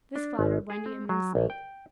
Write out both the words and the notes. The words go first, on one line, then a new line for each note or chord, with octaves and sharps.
This flattered Wendy immensely.
D4
G#1
G#4
C4
F#3
A#1
G5